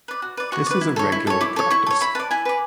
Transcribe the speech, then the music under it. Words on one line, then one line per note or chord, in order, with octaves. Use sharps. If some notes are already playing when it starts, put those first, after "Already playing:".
This is a regular practice.
B4 D5
F#4
B4 D5
F#4 C#6
B4 D5
E4
A4 C#5
E4
A4 C#5
E4 D6
A4 C#5
E4 C#6
A4 C#5
E4 B5
B4 D5 A5
E4 G#5
B4 D5